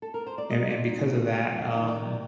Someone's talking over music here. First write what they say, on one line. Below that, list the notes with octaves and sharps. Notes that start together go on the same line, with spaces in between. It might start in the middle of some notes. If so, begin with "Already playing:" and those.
and and because of that, um,
A4
A#4
C5
D5
A#2 D#5
A#2
D#4
A3
A3 F5
F2
D#5
D#3
D5
C3